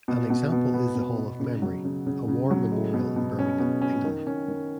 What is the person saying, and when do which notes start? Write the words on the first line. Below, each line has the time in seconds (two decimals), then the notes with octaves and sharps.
An example is the Hall of Memory, a war memorial in Birmingham, England.
0.08 B2
0.30 B2
0.52 B2
0.74 B3
0.95 B2
1.17 B2
1.40 C#3
1.62 F#3
1.85 C#3
2.07 C#3
2.28 C#3
2.51 F#3
2.71 G#3
2.94 B2
3.16 B2
3.39 C#4
3.60 B2
3.82 C#4
4.04 D#3
4.27 C#4
4.48 D#3